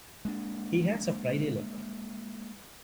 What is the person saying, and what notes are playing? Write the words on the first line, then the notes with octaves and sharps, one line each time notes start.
He has a Friday look.
G#3 A#3 D4